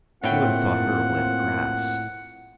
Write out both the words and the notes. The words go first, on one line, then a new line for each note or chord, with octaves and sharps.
You would have thought her a blade of grass.
A2 A#3 C4 F4 F#5 G5